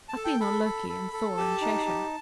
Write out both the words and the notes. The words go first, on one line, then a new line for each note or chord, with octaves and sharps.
"I've been on Loki and Thor and Shesha."
A5
A4
G5
A4 B5
A4
A4
A4
G4 A5
D#4
G4